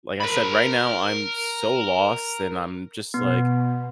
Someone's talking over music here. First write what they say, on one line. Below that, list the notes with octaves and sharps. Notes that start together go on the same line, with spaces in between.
like I said, right now, I'm so lost, and I'm just, like,
A#4 B5
B2 B3